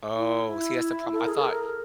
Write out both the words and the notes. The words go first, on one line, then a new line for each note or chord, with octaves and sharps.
Oh, see that's the problem, I thought
E4
E4
A4
A#4
G#4
A4
A#4